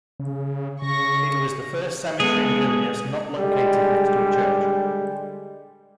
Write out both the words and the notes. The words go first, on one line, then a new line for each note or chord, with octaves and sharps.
It was the first cemetery in Vilnius not located next to a church.
C#3
C#3 C#6 A#6
G#3 B3 G#4 A4
D3 G3 G#3